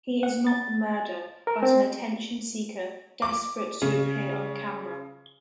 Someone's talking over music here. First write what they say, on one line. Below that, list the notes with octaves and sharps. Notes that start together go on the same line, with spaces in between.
He is not the murderer, but an attention seeker desperate to appear on camera.
F#5
A6
A#4
C4
D6
C#3